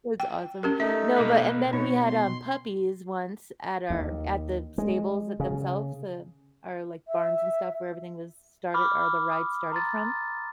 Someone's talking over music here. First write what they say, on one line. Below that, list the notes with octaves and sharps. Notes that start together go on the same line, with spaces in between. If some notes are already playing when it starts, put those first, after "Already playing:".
That's awesome. No, but and then we had, um, puppies once at our at the stables at themselves, uh, our, like, barns and stuff where everything was started or the ride started from.
G5
C#4 G4 A#4
A3 D#4 E5
B2 A#3 B4
B2 D#4 C#5
C6
D#2
G#3
C#3
E5
B5 D6 F6
D#6
A#5 C6 A6